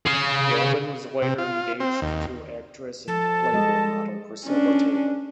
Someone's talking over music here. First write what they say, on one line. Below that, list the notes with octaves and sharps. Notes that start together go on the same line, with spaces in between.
Goldin was later engaged to actress and "Playboy" model Priscilla Taylor.
G#4 F5
C3
F4
C4
D#2
F3 A4 A5
G3 G#3 D#5
C#4 D4